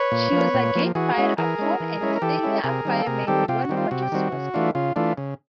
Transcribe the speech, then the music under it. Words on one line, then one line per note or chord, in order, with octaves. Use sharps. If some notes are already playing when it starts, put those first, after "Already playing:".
She was again fired upon, and a sailor, fireman Duane Hodges, was killed.
Already playing: B4 C#5
A#2
F3 A#3
A#2
F3 A#3
E3 F#4 G#4
G#3 C#4 E4
E3 G#4 A#4
G#3 C#4 E4
E3
G#3 C#4 E4
A#4
E3 G4 A4
G#3 C#4 E4
C3 G#4 A#4
D#3 G3 C4
A4
C3 G#4 A#4
D#3 G3 C4 G4 A4
C3 F4 G4
F#4
D#3 G3 C4
F4
C3 F#4
G4
D#3 G3 C4 F#4
C#3
E3 A3 D4 F4
C#3 F4
E3 A3 D4 F4
C#3